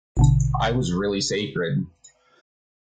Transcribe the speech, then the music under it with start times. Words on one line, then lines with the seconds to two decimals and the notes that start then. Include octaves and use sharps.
I was really sacred!
0.17 A1 B2 D3